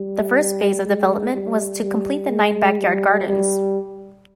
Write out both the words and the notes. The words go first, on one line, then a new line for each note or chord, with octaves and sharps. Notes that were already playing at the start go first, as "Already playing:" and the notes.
The first phase of development was to complete the nine Backyard Gardens.
Already playing: G3
G#3
G3
G3
G#3
G3
G3